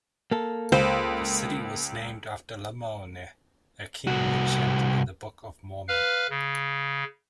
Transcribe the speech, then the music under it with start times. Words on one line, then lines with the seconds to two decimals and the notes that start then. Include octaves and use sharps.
The city was named after Lamoni, a king mentioned in the Book of Mormon.
0.31 A#3 A4
0.72 C#2 C5
4.07 C2 F#4
5.88 B4 F5 F6
6.30 C#3